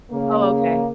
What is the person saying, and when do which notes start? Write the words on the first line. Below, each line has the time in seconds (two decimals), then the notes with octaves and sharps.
Oh, okay.
0.11 C#3 A#3